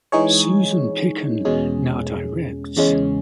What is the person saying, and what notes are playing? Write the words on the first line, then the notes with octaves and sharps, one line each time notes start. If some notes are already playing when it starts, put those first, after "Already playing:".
Susan Picken now directs.
E3 G#3 D#4 G#4 C#5
E2 B2 G#3 C#4 G#4
E2 C#3 G#3 C#4